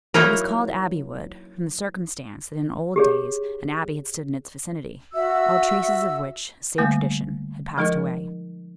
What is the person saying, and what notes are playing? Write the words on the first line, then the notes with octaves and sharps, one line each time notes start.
It was called Abbey Wood, from the circumstance that in old days an abbey had stood in its vicinity, all traces of which, save tradition, had passed away.
F#3 A#3 D#4 E4 A#4
G4 G#4 C#5
F#4 E5 E6
D3 G3 A3 A#3
F3 G#3 D#4 A#4 D#5